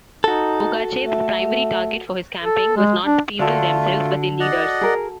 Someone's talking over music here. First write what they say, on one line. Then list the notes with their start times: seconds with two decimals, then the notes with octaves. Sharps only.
Pugachev's primary target for his campaign was not the people themselves, but their leaders.
0.24 D#4 F#4 A4
1.02 A3
2.43 A4
2.77 G#3
3.05 D4
3.40 D3 A3 D4 F4 F#4 A4
4.40 D5 D#5 F#5
4.81 G#4 A#4